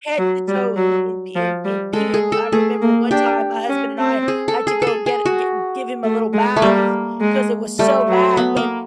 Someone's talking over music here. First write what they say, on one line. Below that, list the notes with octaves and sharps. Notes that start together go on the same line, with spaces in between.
head to toe in in pee in in pee, and I remember one time my husband and I had to go get gi give him a little bath, 'cause it was so bad, but
F#3
G3
F#3
F3
G3
G#3 A4
G#4
A4
A3 G#4
A#3
D4 G4
C#4
C4
G#4
A4
G#4
G#4 A4
G#4
F#4
A3
G#3
A3
G3 A#3
G#3
G3 A3
F#3
B3
A#3